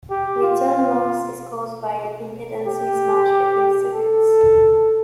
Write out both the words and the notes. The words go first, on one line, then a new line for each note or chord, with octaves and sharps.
Return loss is caused by impedance mismatch between circuits.
G4
F4
G4
A4